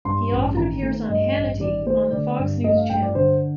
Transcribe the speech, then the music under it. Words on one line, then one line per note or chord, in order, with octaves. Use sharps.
He often appears on "Hannity" on the Fox News Channel.
G2 C6
A1
D#3 A#5
A3
G2 D#5
A1
D#3 D5
A3 C5
D3 D5
G2
A3 D#5
F5
G2 G5
D5
D3 C5